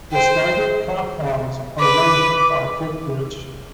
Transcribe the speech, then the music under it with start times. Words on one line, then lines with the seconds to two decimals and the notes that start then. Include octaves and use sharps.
The staggered platforms are linked by footbridge.
0.12 C5 G5
1.79 B4 D6
2.08 D6
2.36 D6